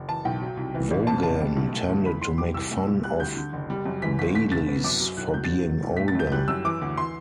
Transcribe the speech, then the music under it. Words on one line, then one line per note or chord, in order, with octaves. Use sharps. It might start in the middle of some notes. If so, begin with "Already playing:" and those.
Vaughan tended to make fun of Baylis for being older.
Already playing: F#1
E3 A5
B1 G5
F#3
C2
E3
A1
C3 A5
F#1 A5
G3
B1
A3
D2
E3 B5
B1 C6
G3 D6
C2 E6
A3
B1
G3 F#6
D2 G6
D3
F#1
G3
F#2
E3 B6
G1 B6
A3 B6
C2 A6
B3
F#2 D6
F#3
B1 F#6
F#3 G6
A6
A1
F#3
B1
A3 B6
A6
F#2 G6
G3 F#6
F#2 E6
E3 D6
D2
E3 C6